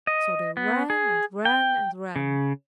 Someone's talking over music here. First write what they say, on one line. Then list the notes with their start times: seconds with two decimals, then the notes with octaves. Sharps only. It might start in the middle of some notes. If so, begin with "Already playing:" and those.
So they ran and ran and ran.
0.07 D#5
0.57 B3
0.90 G#4
1.45 G5
2.16 C#3